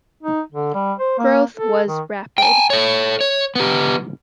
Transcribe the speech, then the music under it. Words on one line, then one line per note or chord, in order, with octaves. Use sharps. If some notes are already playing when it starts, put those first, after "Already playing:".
Growth was rapid.
D#4
D3
G3
C5
A#3
A4
D#3
G5 G#5
A4 C#5
C#5
B3 G4